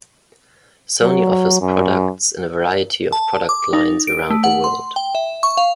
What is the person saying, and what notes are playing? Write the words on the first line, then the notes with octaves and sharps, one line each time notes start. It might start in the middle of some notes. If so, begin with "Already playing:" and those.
Sony offers products in a variety of product lines around the world.
F#3
F#2
A5
D6
D#4
D7
A3
F#5
C6
G5
E5
C#6
F5